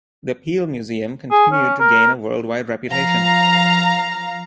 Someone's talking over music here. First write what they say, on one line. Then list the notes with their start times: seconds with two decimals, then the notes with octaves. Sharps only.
The Peale museum continued to gain a worldwide reputation.
1.31 G#4
1.52 C#4
1.80 A#4
2.91 F3 F5 A#5